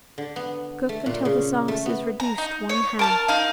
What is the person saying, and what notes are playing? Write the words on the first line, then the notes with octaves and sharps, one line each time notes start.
Cook until the sauce is reduced one-half.
D3
B3
A3
A#2
C#3
A3
B3
A#5
D#4
C#5
A#4 A5 F6
D#4 F5